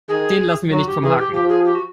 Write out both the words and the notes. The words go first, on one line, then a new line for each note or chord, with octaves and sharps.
Den lassen wir nicht vom Haken.
D#3 G#4
F#3 F#4
G4
E3 G#4
G4
F3 G4
G#4
G4
F#4